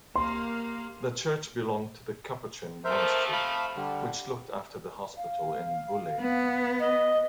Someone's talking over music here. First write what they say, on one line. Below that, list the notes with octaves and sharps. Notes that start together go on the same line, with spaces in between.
The church belonged to the Capuchin monastery, which looked after the hospital in Bulle.
A#3 G4 F5 C6
C3 F3 A3 A#4 C5 E5
F5 B5
D3 G3
F5
B3
D#5